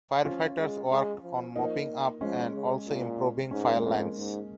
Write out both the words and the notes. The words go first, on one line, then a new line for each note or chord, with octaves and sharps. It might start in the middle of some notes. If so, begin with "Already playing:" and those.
Firefighters worked on mopping up and also improving fire lines.
F3 C#4 F4
G#3
G#3
F3
F3 A#3 D#4
F3 G#3 C#4
C#3
A#2
G#2 C#4
A#3
G#3
F2 A#3
G#2